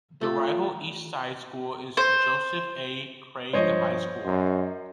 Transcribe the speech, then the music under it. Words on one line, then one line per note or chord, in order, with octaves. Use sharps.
The rival east side school is Joseph A. Craig High School.
A3 F4 A4
C5
G2 F3 C5 C#5 D#5
F#2 A#5 C6